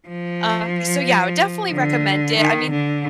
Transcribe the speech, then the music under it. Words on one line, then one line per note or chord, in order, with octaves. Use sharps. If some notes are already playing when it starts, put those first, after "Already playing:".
Uh, so yeah, I would definitely recommend it. I mean,
F3
D3
D#3
D3